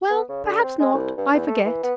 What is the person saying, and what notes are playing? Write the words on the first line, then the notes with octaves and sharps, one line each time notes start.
'Well, perhaps not--I forget.
B3
C#3
D3
C4
G#3
C2
G2
E2
A3
E3
B3